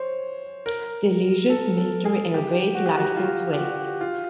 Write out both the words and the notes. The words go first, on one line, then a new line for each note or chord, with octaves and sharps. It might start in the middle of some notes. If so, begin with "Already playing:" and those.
The Eleusis Military Airbase lies to its west.
Already playing: C5 C#5
A#4
A4
A4
G#4
G4
F#4
G4
F#4
F4
G4
F#4
F4